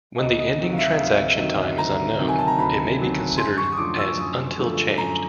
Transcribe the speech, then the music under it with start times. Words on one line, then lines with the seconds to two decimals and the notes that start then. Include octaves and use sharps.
When the ending transaction time is unknown, it may be considered as "Until Changed".
0.19 D2 D#5
0.39 D#5
0.58 C3 D#3 F#3
0.73 F5
0.78 E5
0.98 D2 F5
1.38 C3 D#3 F#3
1.78 D2 A#5
2.19 C3 D#3 F#3
2.28 G#5
2.38 A5
2.47 A#5
2.58 D2 B5
2.98 C3 D#3 F#3
3.38 F#2 C6
3.57 C#6
3.72 D#6
3.77 D3 F3 A3 D6
3.98 E6
4.17 F#2 D#6
4.57 D3 F3 A3
4.98 F#2 A#5